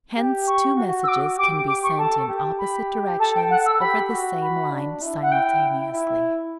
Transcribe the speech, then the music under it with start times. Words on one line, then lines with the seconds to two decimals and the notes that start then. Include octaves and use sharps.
Hence, two messages can be sent in opposite directions over the same line simultaneously.
0.17 G4
0.47 C#6
0.77 F#4
1.03 E6
1.08 D6
1.37 G4 D6
1.68 D6
1.83 C#6
1.98 A4 A5
2.28 G4
2.59 B5
3.19 A4 A5
3.35 G5
3.50 F#5
3.66 E6
3.80 G4 B5
4.10 F#4
4.42 B5
4.71 D4
5.02 E4
5.22 F#5
5.31 G5
5.93 E4